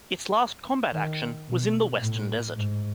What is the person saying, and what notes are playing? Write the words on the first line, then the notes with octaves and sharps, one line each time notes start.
Its last combat action was in the Western Desert.
D#3
B2
A2
G#2